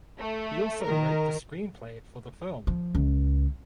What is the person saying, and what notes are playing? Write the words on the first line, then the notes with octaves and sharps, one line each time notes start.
He also wrote the screenplay for the film.
A3
D#3 A#4
F3
C#2